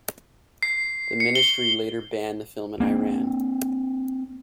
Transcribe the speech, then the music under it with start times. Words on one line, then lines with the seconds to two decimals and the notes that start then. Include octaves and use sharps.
The Ministry later banned the film in Iran.
0.63 C7
1.20 C#7
1.35 G7
2.80 A#3 C4 D4